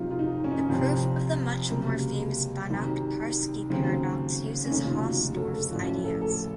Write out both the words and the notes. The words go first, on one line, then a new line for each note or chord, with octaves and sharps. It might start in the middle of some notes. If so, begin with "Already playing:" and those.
The proof of the much more famous Banach-Tarski paradox uses Hausdorff's ideas.
Already playing: F2 C3 F#3 D#4 F4
F4
D#4
C#4
D#4
C#4
C2 C3 F3 C4
C#2 C3 F#3 A#3
C2 C3 D#3 F#3
D#2 C#3 F#3 C4
C#4
F1 D#2 C#3 D#4
F4
F#4
F#4
A4
A4
A1 A2 F3 F#4
A4
A4